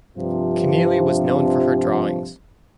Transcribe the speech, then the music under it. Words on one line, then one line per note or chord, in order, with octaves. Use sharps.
Kenneally was known for her drawings.
G2 C3 F3